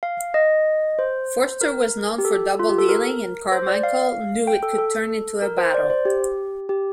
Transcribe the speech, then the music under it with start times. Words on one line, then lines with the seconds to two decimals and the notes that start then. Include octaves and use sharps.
Forster was known for double-dealing, and Carmichael knew it could turn into a battle.
0.03 F5
0.34 D#5
0.99 C5
1.61 A#4
2.18 G4
2.25 A4
2.59 F4
2.69 G4
2.78 A4
2.89 A#4
3.52 C5
3.68 D5
3.83 F5
4.47 G5
4.63 A4
4.78 A4
5.42 A#4
5.58 C5
5.74 D5
5.90 C5
6.05 G4
6.69 G4